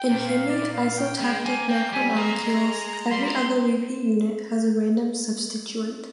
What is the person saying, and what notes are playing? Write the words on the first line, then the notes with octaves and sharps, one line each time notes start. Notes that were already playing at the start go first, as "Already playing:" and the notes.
In hemi isotactic macromolecules every other repeat unit has a random substituent.
Already playing: G5
A#2
F5
D5
F5
G5
G#3 G5
A#3 G#5
A#3 G5
G3 G#5
A#3 A#5
A#3
G#3
G3 C6
G#3 A#5
C6